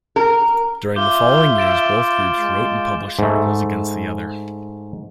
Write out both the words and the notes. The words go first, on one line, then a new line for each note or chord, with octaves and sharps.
During the following years both groups wrote and published articles against the other.
A#4
F4 E5 D6 G6 G7
A6 D7 E7
G#3
G#2 A3